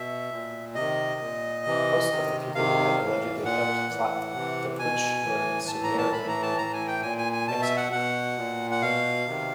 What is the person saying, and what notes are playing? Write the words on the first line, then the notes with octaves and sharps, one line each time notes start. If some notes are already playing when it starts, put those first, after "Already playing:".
Most of the people who had allegedly helped plot the putsch were summarily executed.
Already playing: B2 E5
A#2
C3 D#3 D#5
A#2
C3 E3
C3 D#3
C3 D#3 F5
A2 E3
A#2 F#5
A2 E3
C3 E3
B2 G#5
A2 E3
A2 E3 A5
A#5
A5
A2 E3 B5
A#5
A5
A2 E3 A#5
G#5
G5
A#2 G#5
G#5
G#5
B2 A5
E5
F#5
B2 F#5
A#2
F#5
B2 F5
C3 D#3